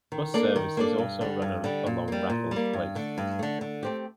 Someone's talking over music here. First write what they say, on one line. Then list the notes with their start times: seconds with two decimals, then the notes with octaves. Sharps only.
Bus services also run along Raffles Place.
0.12 D#3
0.34 A#3 D4 A4 D5
0.56 D#3
0.77 A#3 D4 A4 D5
0.98 G2
1.21 D3 G3
1.42 G2
1.64 D3 G3
1.86 A#2
2.08 G3 A#3
2.30 A#2
2.51 G3
2.56 A#3
2.73 G2
2.95 D3 A3
3.18 G2
3.39 D3 A3
3.61 D3
3.83 A3 C4 G4